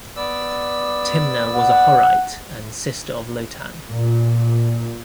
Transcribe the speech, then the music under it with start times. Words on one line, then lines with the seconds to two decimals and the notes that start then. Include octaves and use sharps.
Timna was a Horite and sister of Lotan.
0.16 B3 D5 E6
1.55 F#5
3.88 A#2